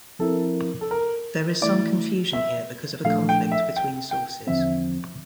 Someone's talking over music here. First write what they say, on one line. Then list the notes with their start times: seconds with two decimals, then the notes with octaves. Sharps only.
There is some confusion here because of a conflict between sources.
0.19 F3 C4 E4 A4 A#4
0.81 A4
0.91 A#4
1.61 E3 A3 E4 D5
2.33 E5
3.04 A#2 F3 A3 D4 A4 F5
3.29 G5
3.52 E5
3.76 G5
4.11 G5
4.47 E2 D3 F3 C4 E5